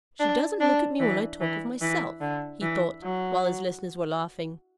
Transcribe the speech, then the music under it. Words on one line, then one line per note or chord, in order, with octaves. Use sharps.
"She doesn't look at me when I talk of myself," he thought, while his listeners were laughing.
D4
D4
E3
E3
E3
D3
E3
F#3